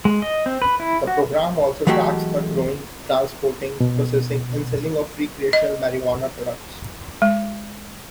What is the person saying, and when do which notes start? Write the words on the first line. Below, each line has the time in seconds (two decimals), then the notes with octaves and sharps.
The program also tracks the growing, transporting, processing and selling of recreational marijuana products.
0.05 G#3
0.22 D#5
0.46 C4
0.62 B4
0.80 E4
1.07 F#4
1.87 E3 F#3 G#3 A3 G4 A4
3.81 B2
5.53 D#5
7.22 G#3